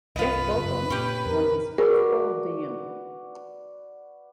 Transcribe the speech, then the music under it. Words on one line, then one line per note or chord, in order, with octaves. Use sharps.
Jeff Burton won his fourth pole of the year.
C2 G2 F4 B4 D#5
F#2 C#3
A#2 C#4 G4
F2 A#4
F#4 G#4 A#4 B4 D5